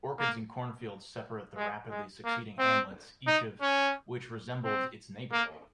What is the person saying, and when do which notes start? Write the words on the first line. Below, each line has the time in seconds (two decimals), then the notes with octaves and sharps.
Orchards and cornfields separate the rapidly succeeding hamlets, each of which resmbles its neighbour.
0.19 A#3
1.56 G#3
1.90 G#3
2.25 A#3
2.59 C4
3.27 D#4
3.62 C#4
4.64 C4
5.33 A#3